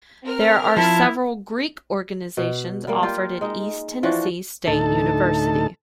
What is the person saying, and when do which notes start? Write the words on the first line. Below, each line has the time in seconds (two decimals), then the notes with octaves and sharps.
There are several Greek organizations offered at East Tennessee State University.
0.24 C4 A#4 F6
0.77 F3 E4 A5
2.37 B2
2.88 G3 A#3
3.03 F4 G4
3.41 G#3 D#4
4.03 E3 F3 D4 F#4
4.67 D2 A2 D#4 A4 A5